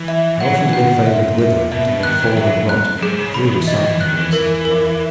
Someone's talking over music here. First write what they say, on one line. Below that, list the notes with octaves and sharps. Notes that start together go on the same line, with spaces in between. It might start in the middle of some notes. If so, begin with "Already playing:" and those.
How often do they fade and wither until they fall and rot, a dreary sight, by the wayside of life!
Already playing: E3
E5
F#3 F#5
E3
D#3 F#5
D#3
C#3
A#2 E5
E5
B2 E5
B2
D#3 F#6
E3
F#3 E5
C#3
F#6
F#2
F#2
G#2 G#4
C#3
C#3 B5
D#3
E3
E3 D#5
D#3
E3
D#3 F#6
E3
E3 A#4
A#4